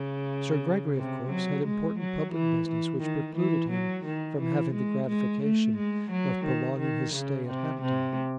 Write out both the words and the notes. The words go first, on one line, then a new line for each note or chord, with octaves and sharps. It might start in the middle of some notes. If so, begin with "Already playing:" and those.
Sir Gregory, of course, had important public business which precluded him from having the gratification of prolonging his stay at Hampton.
Already playing: C#3
C3
F#3
G#3
F#3
E3
E3
D#3
E3
F#3
D#3
E3
G#3
G#3
A3
G#3
F#3
D#3
D#3
C#3
C3
C3